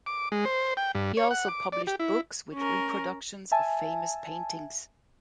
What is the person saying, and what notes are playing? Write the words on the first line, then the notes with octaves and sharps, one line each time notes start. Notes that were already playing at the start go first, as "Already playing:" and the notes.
He also published books with reproductions of famous paintings.
D6
G#3
C5
G5
G2
C#5
F#5
D6
D5
G4
E4
C#4 A#4
E5 G#5 A5